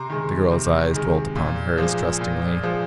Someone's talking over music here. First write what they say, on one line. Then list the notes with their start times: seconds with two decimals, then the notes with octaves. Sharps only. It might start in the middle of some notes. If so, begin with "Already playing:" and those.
The girl's eyes dwelt upon hers trustingly.
Already playing: C3 A#5 C6
0.10 D#3 G#3
0.51 C3
0.94 D#3 G#3
1.36 A#2
1.78 F3 G#3
2.21 A#2
2.63 F3 G#3